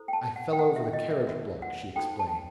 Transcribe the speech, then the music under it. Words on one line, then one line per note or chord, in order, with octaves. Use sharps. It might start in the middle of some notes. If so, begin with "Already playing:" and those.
"I fell over the carriage block," she explained.
Already playing: E4 A4 C5
G5
A5
F#5
G5
E4 A4 C5 F#5
E5
D#5
E5
D#4 F#4 A4 C5 E5
F#5
D#4 F#4 A4 C5 G5
A5